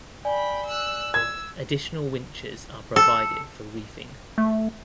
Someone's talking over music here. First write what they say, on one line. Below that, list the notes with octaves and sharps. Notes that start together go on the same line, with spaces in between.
Additional winches are provided for reefing.
D5 G5 G#5 B5
E6 F#6
E6 G#6
A4
A3